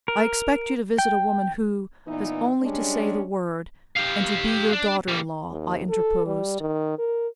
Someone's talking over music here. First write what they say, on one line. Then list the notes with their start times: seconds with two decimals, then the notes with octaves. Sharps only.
"I expect you to visit a woman who has only to say the word and to be your daughter-in-law," I interposed.
0.08 A#4
0.98 G5
2.07 A#2 E3 B3 D#4
2.62 G3 G#3 C#4 D4
3.96 G4 F5
4.73 D4
5.08 G3 A#3
5.50 D#2
5.89 A4
6.26 G3
6.60 D#3
6.98 A#4